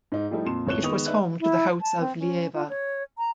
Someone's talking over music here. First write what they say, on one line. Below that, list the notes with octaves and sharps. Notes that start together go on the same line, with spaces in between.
It was home to the house of Leiva.
G#2 D#4
F3 G3 A3 D#4 E4
F2 A#2 C6 E7
A1 F2 C#5 F#6 E7 G7
D#3 G#3 B3 C#6 D#6 F7
D#4 B4 D5 E5 F#6
E4
A5
C4
C#4
F4
C#5
A#5